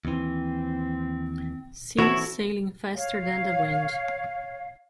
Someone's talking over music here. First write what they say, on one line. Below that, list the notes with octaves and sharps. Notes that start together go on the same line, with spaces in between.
See "Sailing faster than the wind".
D#2 E3 C4
E3 C4 E4 F#4 A4 C#5
C#5 F5